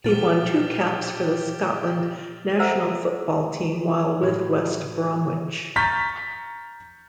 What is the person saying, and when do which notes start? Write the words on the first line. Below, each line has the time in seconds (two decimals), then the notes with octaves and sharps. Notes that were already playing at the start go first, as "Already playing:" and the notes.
He won two caps for the Scotland national football team while with West Bromwich.
0.05 B1 A#2 F3 G4 D6 F6 A6
2.59 A4 C5 E5 F#5 A#5 E6
4.22 A2 F#3 E4 G4
5.76 A#5 C#6 F6 G6 A6 B6